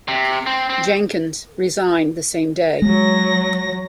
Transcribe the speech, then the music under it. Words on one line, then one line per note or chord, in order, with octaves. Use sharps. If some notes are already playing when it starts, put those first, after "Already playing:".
Jenkins resigned the same day.
C3
C4
C4
F#3 G#3 A#6